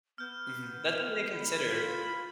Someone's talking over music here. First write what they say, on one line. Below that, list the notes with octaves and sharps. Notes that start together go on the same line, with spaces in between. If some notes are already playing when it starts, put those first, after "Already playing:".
Mhm, that's something to consider.
B3 F6 G6
B5
F4